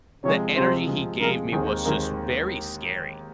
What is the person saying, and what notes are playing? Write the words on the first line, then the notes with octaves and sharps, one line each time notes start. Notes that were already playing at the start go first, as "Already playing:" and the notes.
the energy he gave me was just very scary.
C3 F3 G#3 C#5
C3 F3 G#3 C5
C3 F3 G#3
C3 F3 G#3 A#4
D#2 D#3 G#3 C4 G#4
D#2 D#3 G#3 C4 A#4